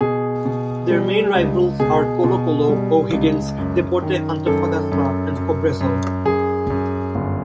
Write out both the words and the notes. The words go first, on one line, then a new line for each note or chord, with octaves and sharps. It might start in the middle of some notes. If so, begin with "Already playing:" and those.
Their main rivals are Colo-Colo, O'Higgins, Deportes Antofagasta and Cobresal.
B2 G#4
B2
G3
C#2
B2 G#4
B2
G3
C#2
F#2
D#3
F#2 A4
F#2
F#2
F#2
F#2 G#4
F#2
G1